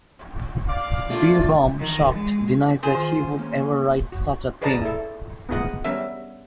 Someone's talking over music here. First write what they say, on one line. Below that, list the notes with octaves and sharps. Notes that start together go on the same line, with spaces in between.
Beerbohm, shocked, denies that he would ever write such a thing.
D5 F5 D6
A3 A#3 D4 F4
D#3
G#3
G#4 C5 G#5
D#3 F4
A#3 C#4
F#4
G#4 B4 D5 D#5 A5 A#5
E4 A4
B3 D#4 F4 G#4 D#5 F#5
G3 B3 C#4 A#4 E5